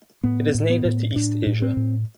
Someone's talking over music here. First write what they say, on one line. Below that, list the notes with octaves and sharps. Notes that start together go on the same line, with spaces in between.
It is native to East Asia.
A2 B3
A2
B3
A2
A2 D4
A2
C4
A2